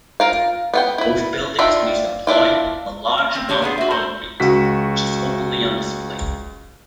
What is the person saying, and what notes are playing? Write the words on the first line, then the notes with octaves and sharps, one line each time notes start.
Both buildings use employed a large amount of concrete, which is openly on display.
F4 A#4 F5
B3 F5 G5
E4 B4
D#3 D4 F4 D5 E5
A#3 D4 E4 F4
A#3
C4
G3 D4 G4 C#5
B3 F4 G#4
F#4 E5
A4 A#4 C5
C#2 F#4 B6